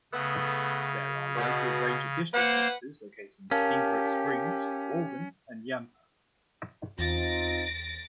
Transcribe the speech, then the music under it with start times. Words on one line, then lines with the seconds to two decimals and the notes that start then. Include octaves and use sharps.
There are local ranger district offices located in Steamboat Springs, Walden, and Yampa.
0.13 C#3 A3 B3
1.36 B2
2.34 A#3 B4 C5 F#5
3.51 C#4 G4 A#4 F5 A5
6.99 E2 C4 D#4 F4 A6 A#6 D7